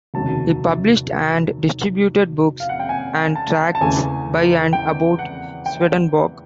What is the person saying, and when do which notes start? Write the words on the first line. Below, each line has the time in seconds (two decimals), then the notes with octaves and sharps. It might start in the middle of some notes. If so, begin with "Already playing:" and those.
He published and distributed books and tracts by and about Swedenborg.
0.14 F1 D#2 C#3 F#3 A5
2.60 F5
2.69 F#5
2.79 G5
2.89 G#5
3.35 A5
3.75 A5
3.81 E2 C#3 E3 A3 G#5
4.73 G5
5.19 F#5
5.66 G5